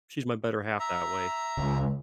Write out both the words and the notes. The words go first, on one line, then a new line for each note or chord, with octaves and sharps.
she's my better half that way.
E5 A#5
C#2